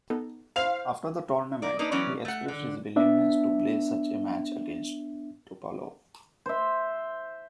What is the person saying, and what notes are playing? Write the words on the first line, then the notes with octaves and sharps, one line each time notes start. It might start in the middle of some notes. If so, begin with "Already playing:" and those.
After the tournament, he expressed his willingness to play such a match against Topalov.
B3 D#4 A4
E4 C5 F5 F7
A#4 D5
A#3 D4 D#4 B4
E3 F#3 B3 C#4 D5
A3 F#5
D3
B3 D4 E5
C5 E5